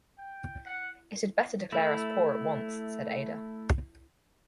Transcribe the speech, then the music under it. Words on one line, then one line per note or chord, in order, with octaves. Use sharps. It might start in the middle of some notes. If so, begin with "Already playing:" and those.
"It had better declare us poor at once," said Ada.
G5
F#5
A3 E4